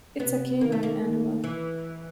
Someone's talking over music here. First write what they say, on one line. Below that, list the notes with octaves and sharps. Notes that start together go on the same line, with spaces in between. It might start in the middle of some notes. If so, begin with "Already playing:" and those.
It's a canine animal.
C3 B3
D#3 A#3
A3
A#3
D#3
E3